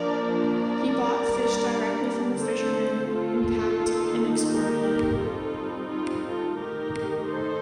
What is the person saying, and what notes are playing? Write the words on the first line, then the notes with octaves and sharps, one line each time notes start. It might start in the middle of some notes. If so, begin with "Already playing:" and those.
He bought fish directly from the fishermen, and packed and exported it.
Already playing: F3 A#3 D4 A#4 D5
A#4 D5
G3 A#3 D4
D3 A3 C4 A4 C5
F4 A4
D#3 A#3 D#4
G4 A#4
G3 C4 D#4 F4 A4
F4
F4 A4
D#3 A3 D#4 G4 A#4
A4 C5